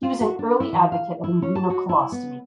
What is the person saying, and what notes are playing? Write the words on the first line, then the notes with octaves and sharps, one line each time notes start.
He was an early advocate of inguinal colostomy.
F4
F#4
D4
E4
E3
F5
E4
C#4
A5
F#4
E4
B3